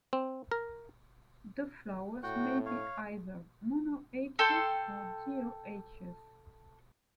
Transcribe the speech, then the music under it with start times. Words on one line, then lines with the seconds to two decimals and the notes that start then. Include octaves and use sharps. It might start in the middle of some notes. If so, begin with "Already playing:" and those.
The flowers may be either monoecious or dioecious.
0.13 C4
0.52 A#4
2.23 A2 F#4 F#5 G5
2.66 C#5 F5
4.39 A4 G5 C6